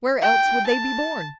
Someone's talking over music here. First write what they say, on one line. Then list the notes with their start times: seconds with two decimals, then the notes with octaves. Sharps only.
"Where else would they be born?"
0.21 G5
0.67 A5